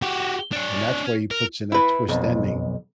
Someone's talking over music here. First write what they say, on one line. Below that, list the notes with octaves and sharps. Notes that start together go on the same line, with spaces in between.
and that's why he puts in that twist ending
F#4 G4
D4 C#5
A#4
E4 B4
B1 F2